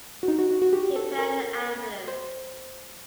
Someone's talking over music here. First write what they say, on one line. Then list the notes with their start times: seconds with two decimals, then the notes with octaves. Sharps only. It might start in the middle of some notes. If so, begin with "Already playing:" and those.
Prepare an ambulance.
0.23 F#4
0.28 D#4
0.39 F#4
0.51 F#4
0.62 F#4
0.73 G4
0.96 A4
1.18 A#4
2.08 C5